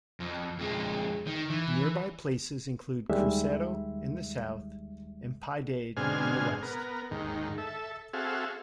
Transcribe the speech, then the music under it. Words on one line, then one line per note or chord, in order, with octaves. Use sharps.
Nearby places include Cruzeiro in the south and Piedade in the west.
F2
F2 G#3
D#3
E3
D#2 D#3 G3 G#3 E5
G#2 B2 D3 C4 G#5 F6
B3 A#4
D#2 G#2 D#3
A4 E5
C4 F#4 G#4 A4 E5 F5